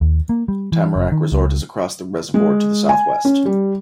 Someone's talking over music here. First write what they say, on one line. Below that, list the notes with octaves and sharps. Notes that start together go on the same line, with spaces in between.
Tamarack Resort is across the reservoir to the southwest.
D#2
A#3
G3
E3
F#1
D#3
C#2
G#3
G#5
C#4
G3